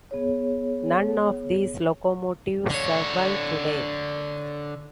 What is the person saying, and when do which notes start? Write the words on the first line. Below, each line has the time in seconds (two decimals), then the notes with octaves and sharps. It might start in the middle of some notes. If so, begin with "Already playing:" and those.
None of these locomotives survive today.
0.11 B3 G#4 C#5
2.70 D3 C#5